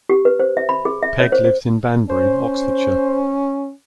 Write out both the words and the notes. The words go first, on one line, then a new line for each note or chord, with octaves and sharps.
Pegg lives in Banbury, Oxfordshire.
G4
B4
C5
E5
B5
G#4
E5
C#5
C5
C5
C#4 C5